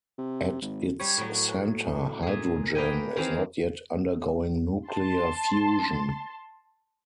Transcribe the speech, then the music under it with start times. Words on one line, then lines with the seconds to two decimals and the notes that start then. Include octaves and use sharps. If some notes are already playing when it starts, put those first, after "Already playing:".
At its center, hydrogen is not yet undergoing nuclear fusion.
0.18 C3
0.62 G#1
1.00 G3 C#5
1.18 A2 F#3
2.23 A#2 G#4
2.75 A#3 B4 D#5 G5 G#5
3.16 D#3 E3 C4 G#4 F5
4.88 A5 C6